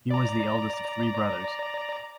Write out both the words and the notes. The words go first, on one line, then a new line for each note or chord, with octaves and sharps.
He was the eldest of three brothers.
D5 A#5